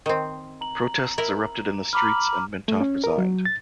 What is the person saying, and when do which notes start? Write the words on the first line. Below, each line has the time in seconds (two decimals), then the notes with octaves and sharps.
Protests erupted in the streets and Mintoff resigned.
0.06 D#3 C4
0.61 A#5 F#7
1.18 E4 A#4
1.93 A#5 B5 D6 F6
2.68 A3
2.81 C#4
3.04 A#4
3.18 F#3
3.45 A6